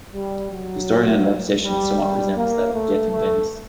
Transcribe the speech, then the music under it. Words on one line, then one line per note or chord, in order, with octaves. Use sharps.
The storyline of obsession somewhat resembles that of "Death in Venice".
G3
F#3
G3
G3
A#3
A3
A3